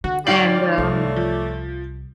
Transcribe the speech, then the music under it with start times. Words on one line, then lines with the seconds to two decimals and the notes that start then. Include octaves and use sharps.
And, um
0.04 D3 F#4
0.27 G#2 C#5 D5 F5 G5 F#7
0.78 C2 A3
1.16 F3